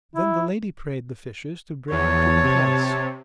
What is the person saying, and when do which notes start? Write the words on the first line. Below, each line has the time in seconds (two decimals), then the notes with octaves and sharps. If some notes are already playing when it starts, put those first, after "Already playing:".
Then the lady prayed the fishers to bring him to her place.
0.16 E4
1.91 E2 C#5 A5
2.43 C3